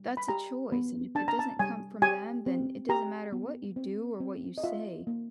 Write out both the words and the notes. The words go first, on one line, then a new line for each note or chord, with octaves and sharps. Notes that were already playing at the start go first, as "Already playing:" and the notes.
That's a choice, and if it doesn't come from them, then it doesn't matter what you do or what you say.
Already playing: G3
B5
G4 A#5
B3
D4 A5
A#5
A5
G3 G#5
G4 G#5
C4
G4 A#5
B3
C4
C4
D#5
F4 E5
A#3